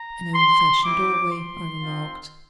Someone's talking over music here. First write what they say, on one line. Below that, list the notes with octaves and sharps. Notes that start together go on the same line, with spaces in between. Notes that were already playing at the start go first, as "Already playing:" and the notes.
"An old-fashioned doorway," I remarked.
Already playing: A#5
C6
C4 E4 G4 D6
C6
C4 F4